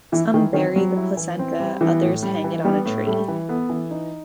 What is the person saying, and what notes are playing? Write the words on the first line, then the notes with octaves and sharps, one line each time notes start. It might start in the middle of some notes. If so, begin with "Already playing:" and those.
Some bury the placenta, others hang it on a tree.
E3 E4
D#3 E3
D#3 C4
F#3 G3
E4
E3
C4
G3
E3 B3
A2
G3
E3
G3 B3
A2
G3 A3
E3
B3 A4
E3
D#4